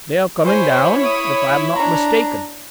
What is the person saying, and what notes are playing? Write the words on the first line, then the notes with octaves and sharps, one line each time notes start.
"They are coming down, if I am not mistaken."
E4 C5 C#5 G#5
D#6
D4 A#5